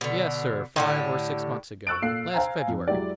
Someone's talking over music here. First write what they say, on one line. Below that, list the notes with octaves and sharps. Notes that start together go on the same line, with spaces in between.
"Yes, sir, five or six months ago--last February."
B2 D3
A2 D3 G4
C#6 E6 F#6 A6 D7
A#2 A4 F5 C7
C5 F5 G#5 A#5
F2
F#3 G#3 E4 G4 D5